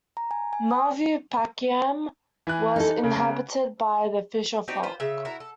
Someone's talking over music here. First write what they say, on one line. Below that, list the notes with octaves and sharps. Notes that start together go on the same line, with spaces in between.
Maruvurpakkam was inhabited by the fisher folk.
A#5
G#5
G#5
D#6
E3 G#5 F#6
D#4 A4
C#3
B3
C4 D#4 F#4 G4
F4 B4 C5
C#3 E5
E4 F#4 A#4
A4